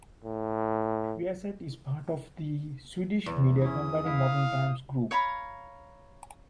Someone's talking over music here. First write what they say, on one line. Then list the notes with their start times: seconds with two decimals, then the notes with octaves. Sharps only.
Viasat is part of the Swedish media company Modern Times Group.
0.24 A2
3.26 E2
3.61 C#4 E4 D#6
4.06 E4 F5
5.11 C#5 F5 A#5 B5